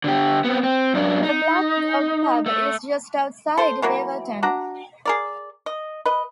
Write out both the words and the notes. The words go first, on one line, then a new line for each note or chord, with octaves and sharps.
The Black Dog pub is just outside Waverton.
D3 G4
B3 C4
C4
F#2 D4
D#4
A3
A4 C5
E3 F#3 A#3
D4 F#4 A#5
G#4 A#4 D5
D#5
B4 D#5